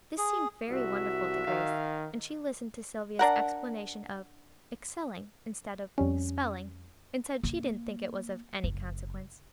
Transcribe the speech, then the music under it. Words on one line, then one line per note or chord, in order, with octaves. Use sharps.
This seemed very wonderful to Grace, and she listened to Sylvia's explanation of "excelling" instead of "spelling," and said she didn't think it was of any consequence.
G#4
C2 F#4 E5
D#3 F5
D4 A#4 F#5
F2 G3 C#4
A#3
F#1